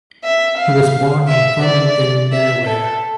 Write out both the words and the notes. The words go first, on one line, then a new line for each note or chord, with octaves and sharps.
He was born in Farmington, Delaware.
E5
F5
E5
D5
E5
A4